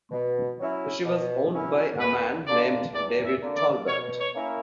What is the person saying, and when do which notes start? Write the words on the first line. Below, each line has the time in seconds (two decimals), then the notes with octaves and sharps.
She was owned by a man named David Tolbert.
0.11 B2
0.58 F#3 C#4 E4
1.05 B2
1.53 F#3 C#4 E4
1.99 E2 B4
2.46 D3 A#3 D4 D5
2.93 E2 D5
3.25 E5
3.41 D3 A#3 D4
3.56 D5
3.87 B2 C#5
4.18 C#5
4.34 A#3 C#4 E4